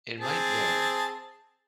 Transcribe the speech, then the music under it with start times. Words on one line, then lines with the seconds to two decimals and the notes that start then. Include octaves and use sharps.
It might be a
0.20 C4 G#4 A5